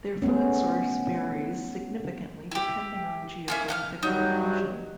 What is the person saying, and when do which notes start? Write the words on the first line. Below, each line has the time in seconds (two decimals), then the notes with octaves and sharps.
Their food source varies significantly depending on geographic location.
0.22 G#3 A3 B3 C#4
2.51 E4 G4
3.48 A#3 C#4 E4
3.68 F5 F#5 F6
4.03 G2 F#3 D#4